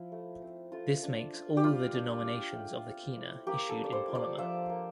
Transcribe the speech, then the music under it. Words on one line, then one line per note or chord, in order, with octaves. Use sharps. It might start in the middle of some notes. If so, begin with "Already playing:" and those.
This makes all the denominations of the kina issued in polymer.
Already playing: F3 E4
A3
C4
A3 F4
D4
F4
G4
G3 F4
D4
F4
A3
C4
E4
A#3 G4
A4
D4
D5
C5
F4
D5
F3 E5
A#3